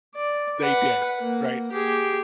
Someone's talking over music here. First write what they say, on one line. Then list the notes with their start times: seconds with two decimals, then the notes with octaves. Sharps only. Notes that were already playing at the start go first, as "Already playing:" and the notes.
they did, right?
0.15 D5
0.60 B4 F#5
1.18 A#3
1.72 G4 G#4